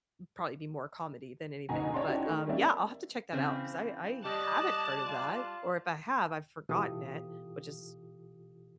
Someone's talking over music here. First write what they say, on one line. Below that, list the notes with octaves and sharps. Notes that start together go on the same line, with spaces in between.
probably be more comedy than anything, but, um, yeah, I'll have to check that out 'cause I I haven't heard of that, or if I have, I've forgotten it, which is
F#1 D2 B2 D#4 G#5 A#5
C#5 D5 A5 A#5 C6
C#4 D#4 E4 F#4 G5
D#3 A3
G3 A#3 C4 C#4 D5 E5
C#3 E3 C4
G3 D5 D#5 A5 F#6
F4
B2 E3 F4 G4 A4 D#6